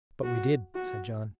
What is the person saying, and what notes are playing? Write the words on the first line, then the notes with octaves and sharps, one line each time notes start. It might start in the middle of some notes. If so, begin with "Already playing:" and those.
"But we did," said John.
F#4
F#4